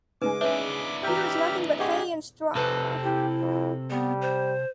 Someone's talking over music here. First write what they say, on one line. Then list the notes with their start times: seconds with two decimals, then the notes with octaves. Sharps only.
Here is nothing but hay and straw.
0.22 C#3 G#3 D#4 A#4 B4 G#5 D6
0.41 D4 E4 B4 C#5 E5
1.03 E3 G4 A4 E5 A#5 F6 G6
1.79 G4 G#4 D#5 F#5 C#6
2.55 C3 C4 A4 B4
3.03 E4 G4
3.41 F2
3.90 G3 B3
4.22 C5